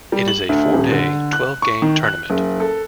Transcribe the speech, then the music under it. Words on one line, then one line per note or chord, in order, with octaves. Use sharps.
It is a four-day, twelve-game tournament.
G3
F#7
D2
D#1
D3
F#6
C#6
D#3
F#6
F#1
A4